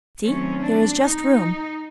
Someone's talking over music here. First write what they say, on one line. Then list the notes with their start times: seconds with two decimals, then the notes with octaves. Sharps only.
"See! there is just room."
0.22 D#3 F#3 A3 C4 C#4
0.60 D4
1.00 D#4